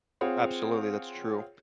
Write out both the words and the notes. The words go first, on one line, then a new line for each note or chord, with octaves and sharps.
Absolutely, that's true.
C4 F4 G#4 C#5 F#5